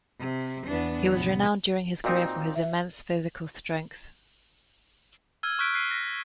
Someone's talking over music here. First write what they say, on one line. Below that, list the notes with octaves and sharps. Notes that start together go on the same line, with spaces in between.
He was renowned during his career for his immense physical strength.
C3
E2 E3 B3 D4
A1 C3 F3 B3
A#2 C4 D#4 F#4 D#5
E5
E6 F6 G#6 D#7
C#6 F6 F#6 B6 D7
F#6 B6 C7 D#7
A#6 B6
B6